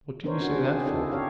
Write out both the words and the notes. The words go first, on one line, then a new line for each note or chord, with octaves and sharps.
What did you say that for?
B3 D4 D#4 A#4 C5 C#5
C#4 D4 F#4
C#3 C4 D4 C5
G#4
D#4 E4 A4
C#4 G4 C#5 F5